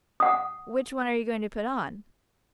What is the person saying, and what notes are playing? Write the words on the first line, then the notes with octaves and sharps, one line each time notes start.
"Which one are you going to put on?"
F#5 D#6